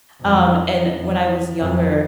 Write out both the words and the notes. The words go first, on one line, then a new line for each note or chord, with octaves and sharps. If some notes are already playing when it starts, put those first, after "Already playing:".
Um, and when I was younger
F2
F2
F2